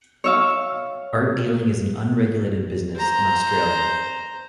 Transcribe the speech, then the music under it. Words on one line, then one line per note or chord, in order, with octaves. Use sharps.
Art dealing is an unregulated business in Australia.
C#5 E5 F5
C5 A#5